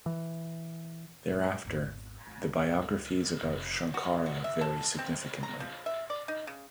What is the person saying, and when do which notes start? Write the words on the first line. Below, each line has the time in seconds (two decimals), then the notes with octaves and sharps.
Thereafter, the biographies about Shankara vary significantly.
0.06 E3
1.31 A#2 G#3
1.65 G#1 E2
2.27 C#2 A#3
3.42 F1
3.94 F#4
4.26 F#4
4.44 E5
4.61 A4
4.99 C4
5.43 A#5
5.60 F3
5.86 E5
6.10 D5
6.28 D#4
6.47 C#3